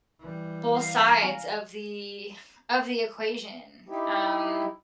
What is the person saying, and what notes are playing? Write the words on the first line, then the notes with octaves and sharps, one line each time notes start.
both sides of the of the equation. Um,
E3 G3
F5 A#5
G#5
D#4 E4 G4